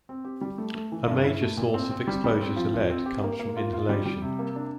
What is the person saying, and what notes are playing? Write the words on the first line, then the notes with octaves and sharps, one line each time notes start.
A major source of exposure to lead comes from inhalation.
C4
G4
G3
A3
A3
E3
G2
E4
A3
A#2
C4
C4
G3
G3
C4
F3
F3
C4
G4
A#3
A#3
F4
F4
G3
G3
C3
A#3
D4